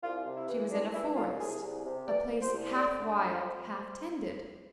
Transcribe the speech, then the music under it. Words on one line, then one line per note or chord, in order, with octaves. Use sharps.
She was in a forest, a place half wild, half tended.
C2 F4
C3
E4
E3
C2 D4
E3 E4
C2 F4
C2 G#4
C2
C3
E3 D5
C2
C5
C2
F2 D5
D3
F2
F2 C5